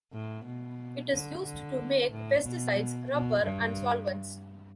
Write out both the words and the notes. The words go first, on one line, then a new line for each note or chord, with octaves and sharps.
It is used to make pesticides, rubber, and solvents.
A2
B2
D3
D3
A2
B2
B2
G2